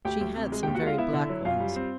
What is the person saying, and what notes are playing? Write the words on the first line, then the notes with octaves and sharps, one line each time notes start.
She had some very black ones.
D2 G4 G5
D2
C3
G#3
D#2 G4 G5
F#4 F#5
G#3 F4 F5
B3 E4 E5
D3
F#3
F#2 F4 F5
G3
C4